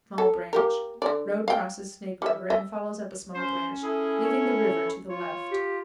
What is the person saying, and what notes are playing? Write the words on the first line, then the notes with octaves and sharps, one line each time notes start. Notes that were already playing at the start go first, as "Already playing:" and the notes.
Small Branch.--Road crosses Snake River, and follows up a small branch, leaving the river to the left.
A4
A#3 G4 A#4
D3 D5
F5 G5
G3 E5
D#5 E5
C#4 C5
E4 G#4 A4
C#5
F4 C#5
G4